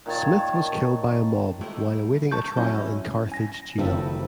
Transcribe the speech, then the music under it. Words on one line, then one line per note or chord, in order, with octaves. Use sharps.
Smith was killed by a mob while awaiting a trial in Carthage Jail.
A#2 D#3 C#5 A5
G3 A3 A#4 D#5
A5 C#6 D6 G6
F#3 C#4 E4 D#5
G#5 A#6
F#1 D#3 F3 G3 A4 B4